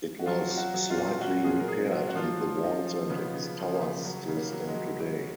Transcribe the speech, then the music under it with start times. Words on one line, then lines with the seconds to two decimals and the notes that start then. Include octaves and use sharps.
It was slightly repaired and the walls and its towers still stand today.
0.19 F#4
0.26 F#3 F4
0.50 F#3
0.57 F#4
0.74 F#3
0.90 F4
0.97 A#2
1.21 F#3 F#4
1.44 A#2 G#4
1.60 A#4
1.68 F#3 G#4
1.91 F#3 F#4
2.08 F#4
2.15 F3 F4
2.40 F3
2.63 F3 D#4
2.86 F3
3.10 C#3 B3
3.34 C#3
3.58 F3
3.73 A#3
3.81 C#3
4.05 F#3
4.28 C#3
4.37 A#3
4.52 F#3
4.67 G#3
4.75 F#3
5.00 F#3